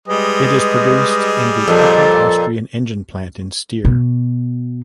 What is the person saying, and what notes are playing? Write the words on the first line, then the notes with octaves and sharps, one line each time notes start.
It is produced in the upper Austrian engine plant in Steyr.
G3 G#3 G#4 B4 D#5
F2 A#2 A4
B2